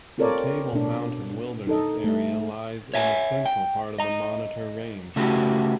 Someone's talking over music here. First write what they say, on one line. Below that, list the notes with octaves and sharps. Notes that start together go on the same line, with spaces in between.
The Table Mountain Wilderness Area lies in the central part of the Monitor Range.
C4 F4 A4 A#4 C#5 D5
B2 D4
D#4 A4 D#5
A3
C#5 E5 G#5
G5
D#5 A#5
C#3 A3 E4 F#4 G4